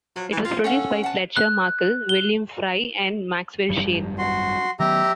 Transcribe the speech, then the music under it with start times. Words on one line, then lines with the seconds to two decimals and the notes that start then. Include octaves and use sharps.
It was produced by Fletcher Markle, William Frye, and Maxwell Shane.
0.16 F3 F#3
0.32 E3
0.45 C4 F4
0.64 C#4 A4 F5 F#5
1.03 F#5 A5
1.36 F#6
2.09 G7
3.69 G#1 F#2 G3
4.18 F#4 C6
4.80 D#3 F#3 B3 G4 E5 A#5